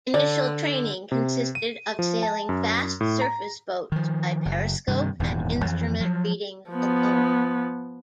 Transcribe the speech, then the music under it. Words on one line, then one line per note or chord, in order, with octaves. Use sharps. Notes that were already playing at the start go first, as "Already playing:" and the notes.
Initial training consisted of sailing fast surface boats by periscope and instrument readings alone.
D3 D5
C3
D#7
F3
A5
F#2
A2
A#5
D#3 F3
F#1
G2 C3 D#3
D#1 E2 G#2
F2 E3
F3 F#3
F3 B3